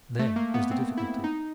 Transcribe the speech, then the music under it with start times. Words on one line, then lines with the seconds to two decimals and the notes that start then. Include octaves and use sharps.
There was the difficulty.
0.19 A3
0.36 A#3
0.54 B3
0.71 C4
0.97 E4
1.24 D#4